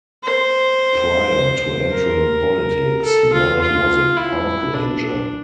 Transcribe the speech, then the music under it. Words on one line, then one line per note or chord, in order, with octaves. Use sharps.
Prior to entering politics, Knight was a park ranger.
C5
A#4
A4
F4
F4
E4
D4